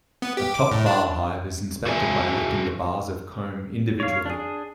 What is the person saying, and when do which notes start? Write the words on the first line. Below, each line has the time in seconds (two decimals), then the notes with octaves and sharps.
A top-bar hive is inspected by lifting the bars of comb individually.
0.22 B3
0.37 G4
0.54 D6
0.71 A2
0.86 D4
1.86 F#4 G#4 E5 G#5
4.00 C#5 F5
4.26 D4 G#4